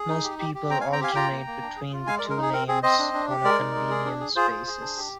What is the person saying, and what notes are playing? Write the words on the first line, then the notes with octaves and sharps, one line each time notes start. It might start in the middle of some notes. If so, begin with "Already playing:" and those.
Most people alternate between the two names on a convenience basis.
Already playing: G#4
D#4
G4
G4
G4
C4 G5 A#5
F5 G#5
C4
G5 A#5
G4 F5 G#5
F4 G5 A#5
A#3
A#3
D4
G#4
F4
G#3 F5 G#5
A#4 D5
G#3
A#4
D#4 G#4
C4 A#4
C4 G#4
C4 C5 D#5
D4
D4
G4
G#3 A#4 D5
D#4
G#3
G#4
D4
G#4
F4 G#4 C5
G#4
G#4
D4
G4